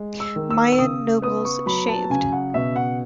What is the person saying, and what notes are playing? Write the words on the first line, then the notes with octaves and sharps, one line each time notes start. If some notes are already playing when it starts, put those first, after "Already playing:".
Mayan nobles shaved.
Already playing: G#3
E6
D#3
E6
E6
C#3 D#6
B3 D#6
C#6
F#3 B5
A5
C#3 G#5
F#5
B2 E5
F#5